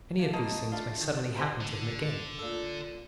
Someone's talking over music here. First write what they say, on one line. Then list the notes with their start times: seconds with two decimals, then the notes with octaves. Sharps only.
Any of these things may suddenly happen to him again.
0.19 A3 A#3
0.33 F#2 A2 A#3 D#5 A5
0.72 A3 D4 F4
1.01 D#3
1.37 G4 B4 C5 D#5 G#5
1.61 D3
2.39 A#2 A4